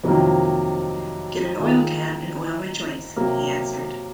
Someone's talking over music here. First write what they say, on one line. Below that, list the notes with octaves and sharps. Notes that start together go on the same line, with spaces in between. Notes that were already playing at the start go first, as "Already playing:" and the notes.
"Get an oil-can and oil my joints," he answered.
F2 C3 D#3 F#3 A#3
D#3 A#3 F4 G#4
C3 F#3 A#3